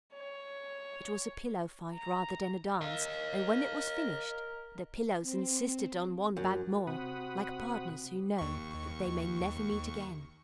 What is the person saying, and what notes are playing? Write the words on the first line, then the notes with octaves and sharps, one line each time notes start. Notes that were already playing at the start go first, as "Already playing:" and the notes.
It was a pillow fight rather than a dance, and when it was finished, the pillows insisted on one bout more, like partners who know that they may never meet again.
C#5
A#5
A#4 D#5 F5
C4
F#2
C3 C4 F#4 F#5 B5 D#6
D#2 C#6